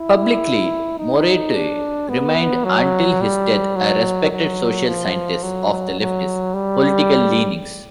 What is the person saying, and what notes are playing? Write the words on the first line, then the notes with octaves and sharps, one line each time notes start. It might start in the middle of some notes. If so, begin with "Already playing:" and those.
Publicly, Morote remained until his death a respected social scientist of leftist political leanings.
Already playing: E4
D#4
D4
B3
F#3
G3
F#3
F#3
F3
F#3
F#3
G3